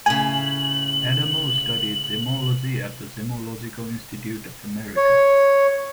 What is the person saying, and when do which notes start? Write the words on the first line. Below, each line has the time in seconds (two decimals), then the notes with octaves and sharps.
Adamo studied gemology at the Gemological Institute of America.
0.06 A2 C#3 G#5 F#7
4.97 C#5